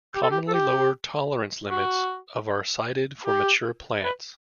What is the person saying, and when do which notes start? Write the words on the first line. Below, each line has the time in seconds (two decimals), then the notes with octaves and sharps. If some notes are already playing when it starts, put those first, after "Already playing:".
Commonly lower tolerance limits of are cited for mature plants.
0.15 G4
0.23 A4
0.31 G4
0.48 A4
0.54 G4
1.71 F#4
3.26 G4
4.04 B4